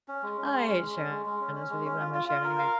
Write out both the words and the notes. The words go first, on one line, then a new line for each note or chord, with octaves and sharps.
I hate sharing this with you, but I'm gonna share it anyway.
C#4
G#3
C#4
G#3
C#4
G#3
C#4
G#3
G#3
C#4
C#4
G#3
C#4
F4
F4
F4
A#4
F5